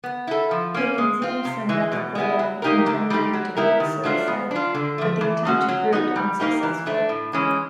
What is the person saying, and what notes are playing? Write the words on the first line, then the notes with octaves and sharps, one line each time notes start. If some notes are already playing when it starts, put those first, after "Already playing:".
He consumed some methaqualone, intending to commit suicide, but the attempt proved unsuccessful.
B3
E4 A4
F3
A#3 C#4
G#3
C4 F4
C3
E3 G#3
B2
G#3 B3 E4
F#3
A#3 D#4 G4 A#4
D3
G3 C4 D#4 G4
F#3
B3 E4 G4 A#4
D#3
F#3 A3 D4 F4
B3
D4 F4
D3
F3 A3
E3
G#3 C#4 F#4
F#3
B3 D#4 F#4
G3
A#3 D#4 G4 A#4
E3
A3 D4
A2
E3 G#3 C#4